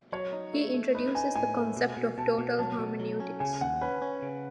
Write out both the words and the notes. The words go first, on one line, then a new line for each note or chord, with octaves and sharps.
He introduces the concept of 'total hermeneutics'.
F#3 C#5
D#4
A3
A3
D#4 B4
D#4 G#5
A2 G#5
A3
B2
B2
B2 A5
B2
F#3 A5
B2
F#3
C#4
C#3 G#5
D#2 F#5
C#4 B4
C#4
C#3